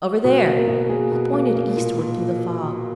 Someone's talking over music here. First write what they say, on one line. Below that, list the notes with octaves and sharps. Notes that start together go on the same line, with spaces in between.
'Over there,' He pointed eastward through the fog.
B2 F#4
A#3
A#4
B2
A#3 G#4
B2
A#3
A#3
A#2
A#2